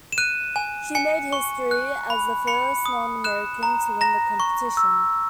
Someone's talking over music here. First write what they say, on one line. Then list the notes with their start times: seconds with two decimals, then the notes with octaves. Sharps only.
She made history as the first non-American to win the competition.
0.12 E7
0.18 F#6 D#7
0.56 G#5
0.95 G#5 C#7
1.33 C#6
1.71 F#6
2.10 B5
2.47 B5 C#7
2.86 D#6
3.24 F#6 E7
3.63 A#5
4.01 A#5 A#6
4.40 C#6
4.77 E6